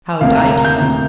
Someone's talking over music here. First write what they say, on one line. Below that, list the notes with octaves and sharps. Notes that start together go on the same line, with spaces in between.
"How died he?"
D2 C3 A#3 F5
A#5
A#5
G6
D2 C3 A#3